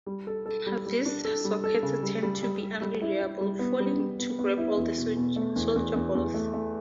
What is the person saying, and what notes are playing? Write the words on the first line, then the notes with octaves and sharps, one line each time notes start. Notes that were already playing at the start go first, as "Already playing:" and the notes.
These sockets tend to be unreliable, failing to grab all the solder balls.
G3
A4
A4
G3
G3
D4
A4
G3
A4
C#3
G3
G3
G3
G3
G3
E4
E4
G3
B3
G3
G3
B3
B3
E4
E2
B2
B2
A3
E2
E2
E2
E2
A3
A3